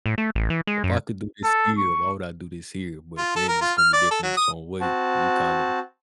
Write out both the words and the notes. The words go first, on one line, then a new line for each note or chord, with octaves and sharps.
if I could do this here, why would I do this here? But then it's gonna be different in its own way, and you kinda
A2
A3
A1
E3
G#3
F#2
A4
C#6
F4
A4
A#4
F4
F6
D5
A4
F#3
D#6
C4 F#4 A5